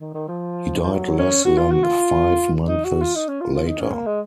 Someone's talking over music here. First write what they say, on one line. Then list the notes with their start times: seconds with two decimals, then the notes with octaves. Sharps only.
He died less than five months later.
0.01 D#3
0.14 D#3
0.28 F3
0.83 F3
0.93 F#3
1.19 C#4
1.45 F#4
1.58 F4
1.72 F#4
1.84 F4
2.67 D#4
2.84 F#4
3.02 F4
3.15 D#4
3.28 C#4
3.41 F4
3.54 F4
3.67 D#4
3.81 C#4
3.93 A#3
4.07 G#3